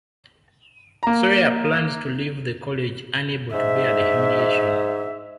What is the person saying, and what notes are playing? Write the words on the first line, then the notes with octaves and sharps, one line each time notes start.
Soorya plans to leave the college unable to bear the humiliation.
A#3 A#5
G#2 E5